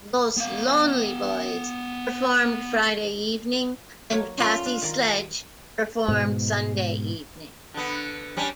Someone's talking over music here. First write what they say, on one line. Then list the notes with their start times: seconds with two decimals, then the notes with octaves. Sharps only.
Los Lonely Boys performed Friday evening and Kathy Sledge performed Sunday evening.
0.37 B3 F5
4.11 F#3 A#3 C#5
4.40 A#3 C#4 F4 D5
4.66 D4
4.82 D#3 D5 A#5
6.08 G#2 B2
7.74 D3 B3
8.37 G3 C#4 D4